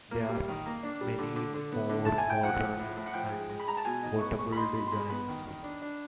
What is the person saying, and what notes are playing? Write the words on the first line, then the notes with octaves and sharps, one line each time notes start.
There are many more modern and portable designs.
A#3
G3
D#3
A#3
D4
G3
D3
D3
D3
B3
D3
E4 A5
G#5
E4 G5
F3 F#5
F3
A2
A2
F#5
F3 G5
G#3
G#3
B5
G#3 A#5
A5
B2 G#5
D#4
B3 C#6
G#3 C#6
B5
D#4 C6
B2 B5
C6
G#3 B5
B3 B5
D#3
D#3
D4
D4